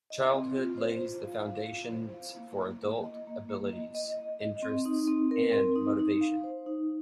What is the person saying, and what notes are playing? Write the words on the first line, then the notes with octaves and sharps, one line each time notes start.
Childhood lays the foundations for adult abilities, interests, and motivation.
D#5
C4
F4
C5
F4
F5
F5
F4
C5
F5
A#3
A#3
A#3
D#5
A#3
A#3
D#5
D#5
D#5
D#5
C4
D#4
C4
A#4
C4
D#4
D#4
F5
C5
D#4